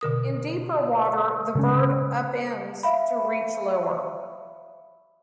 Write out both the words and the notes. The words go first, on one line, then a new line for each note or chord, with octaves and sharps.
In deeper water the bird up-ends to reach lower.
B2 D3 A#4 D#6
C#3 G#3 C#4
E5 F5 B5